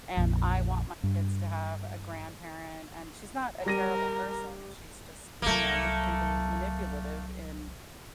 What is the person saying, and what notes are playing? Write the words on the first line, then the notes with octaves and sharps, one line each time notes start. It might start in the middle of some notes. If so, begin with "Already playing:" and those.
and I want my kids to have a grandparent, and she's not a terrible person she's just, you know, m can be manipulative in
A#1 F2
G2
G3 A#4 A#6 D#7
C2 F#3 A3 A#3